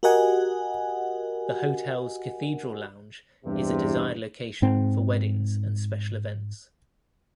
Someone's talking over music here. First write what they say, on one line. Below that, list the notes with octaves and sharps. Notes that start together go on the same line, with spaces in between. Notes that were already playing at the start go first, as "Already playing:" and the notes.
The hotel's Cathedral Lounge is a desired location for weddings and special events.
F#4 G4 A#4 D#5 F#5 G#5
E2 G2 C3
G#2 C4